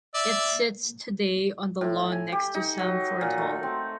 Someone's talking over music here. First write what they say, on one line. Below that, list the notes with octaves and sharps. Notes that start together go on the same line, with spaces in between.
It sits today on the lawn next to Samford Hall.
D5 E5
A2
G#5
G4
D#4
F#3
A#2
A3
C4